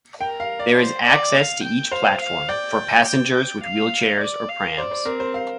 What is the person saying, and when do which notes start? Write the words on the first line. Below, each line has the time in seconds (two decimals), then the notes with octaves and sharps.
There is access, to each platform, for passengers with wheelchairs or prams.
0.21 A#4 G5
0.40 F5
0.59 D5
0.77 C5
1.07 D5
1.36 F5
1.64 G5
1.91 C5 F5
2.21 F5
2.49 D5 G5
3.07 G5
3.34 G5
3.64 F5
4.21 D5
4.49 F5
4.78 C5 D5
4.91 C5
5.05 C4 A#4
5.20 C5
5.34 F5